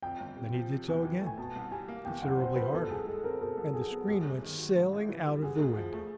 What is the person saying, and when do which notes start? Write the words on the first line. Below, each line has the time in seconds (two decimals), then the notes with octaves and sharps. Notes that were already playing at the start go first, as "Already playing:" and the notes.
Then he did so again, considerably harder, and the screen went sailing out of the window.
0.02 F2 G5
0.20 G1
0.37 C3
0.54 F3
0.70 C3
0.88 E2
1.05 E3
1.21 A3
1.26 G#5
1.38 B2 A5
1.56 C2
1.72 G3 G#5
1.88 A#3
2.05 E2 G5
2.22 F#1 F#5
2.39 C3 C5
2.56 F3 B4
2.73 B2 A4
2.90 C2 G#4
3.07 G#3 A4
3.24 C4 A#4
3.40 B2 A4
3.57 C2
3.74 F#3 G#4
3.91 B3
4.07 F#2 G4
4.25 G1
4.42 D#3
4.59 F#3
4.76 G#2
4.93 A1
5.09 E3
5.27 G3
5.42 D3 G#4
5.59 D2
5.77 F3
5.93 A3